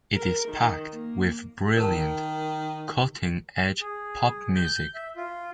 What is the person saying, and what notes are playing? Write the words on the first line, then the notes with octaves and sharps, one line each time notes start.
It is packed with brilliant, cutting-edge pop music.
A#4
D#3
A#3
D#3 A#4 A5
G#4
G6
E5
F4